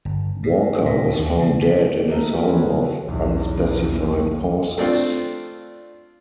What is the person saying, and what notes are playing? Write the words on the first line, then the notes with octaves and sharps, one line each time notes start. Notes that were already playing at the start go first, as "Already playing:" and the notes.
Walker was found dead in his home of unspecified causes.
G1
A2
A#2
D#2
C#3
C3
F#4 A4 A#4 D#5 E5
F#3 A#3 B3 F4
F3 E4 G#4 B4 C#5
C#3 G#3 B3 F#4 A4
B1 E2
A3 C4 D4 F4